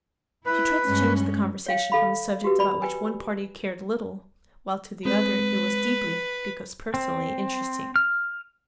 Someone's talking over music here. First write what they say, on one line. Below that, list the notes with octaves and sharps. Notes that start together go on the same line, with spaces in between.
She tried to change the conversation from a subject about which one party cared little, while, to the other, it was deeply, because personally, interesting.
E4 B4
G2 G#3 C#4
C#5 F5 G5
A4 F5 B5
F#4 G4 B4
D5 B5
B4 G5 G#5
G#3 C4 B4
C4
F6